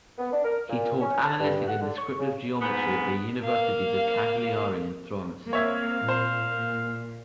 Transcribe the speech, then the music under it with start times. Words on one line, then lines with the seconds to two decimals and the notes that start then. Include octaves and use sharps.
He taught analytic and descriptive geometry at the Universities of Cagliari and Florence.
0.18 B3
0.32 D4
0.44 A#4
0.69 A#2
1.00 C#4
1.22 A5
1.39 G2
1.66 F#5
1.81 D3
1.97 C#6
2.19 C#3
2.62 G#2 B3
3.41 A#3 F5
5.53 A#3 C4 C#5 E5 F5 G#6
6.08 A#2 C5